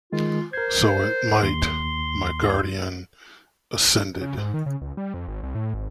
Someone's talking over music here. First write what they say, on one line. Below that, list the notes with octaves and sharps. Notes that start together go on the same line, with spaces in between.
"So it might," my guardian assented.
D#3 G#3 F4
A#4 C5 G#6
D#2 C6
C#3
G#2
D#3
C#3
C#2
G3
F2
G#1
C2
A2
G#1